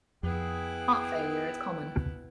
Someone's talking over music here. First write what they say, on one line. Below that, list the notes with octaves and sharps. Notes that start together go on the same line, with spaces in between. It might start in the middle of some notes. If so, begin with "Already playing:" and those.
Heart failure is common.
F2 B3 E4 G#4 G5